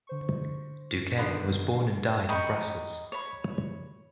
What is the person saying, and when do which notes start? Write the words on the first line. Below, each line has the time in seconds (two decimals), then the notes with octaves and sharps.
Doucet was born and died in Brussels.
0.07 D3 C5 C#6
1.18 B1 D3 D#3 B3 C7
2.29 D#4 G5 B5 C#6
3.12 C#5 B5